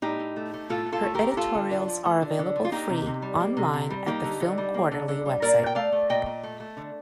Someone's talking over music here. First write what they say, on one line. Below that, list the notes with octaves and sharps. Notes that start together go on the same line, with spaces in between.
Her editorials are available free online at the "Film Quarterly" website.
A2 D#4 G4
A2
A3
A3
A2 F4 A4
A2
F4 A4
A3
G4 A#4
A3
A#4
A3 F4 A4
D3
D3
F3
A3
D3
D3
F3
F4
A#3 D#4 G4
C3
C3
G3
A#3
C3
C3
G3
A#3 D#4 G4
D3
D3
G3
A#3
D3
D3
G3
A#2 A#4 D5
A#2
G5
A3 D5 F5
A3
A#2 D#5 G5
A#2
A3
A3
D3